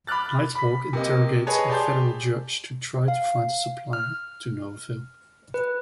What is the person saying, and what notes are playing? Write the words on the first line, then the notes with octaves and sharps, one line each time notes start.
Nighthawk interrogates a federal judge to try to find the supplier, to no avail.
B5 D6 F6 F#6 A6
B5 B6
C3 A#3 D#5
G#4 B4 C#5 D#5 A5
G4 G#4 D5 A5 C6 G6
F5
F6
B4